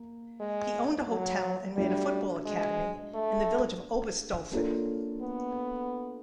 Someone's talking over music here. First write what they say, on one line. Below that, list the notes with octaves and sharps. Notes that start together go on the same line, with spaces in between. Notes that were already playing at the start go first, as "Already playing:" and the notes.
He owned a hotel and ran a football academy, in the village of Oberstaufen.
Already playing: A#3
G#3
F#3
G3 A3 D4 F#4
G#3
A3
A#3 D4 F4 A4 C#5
B3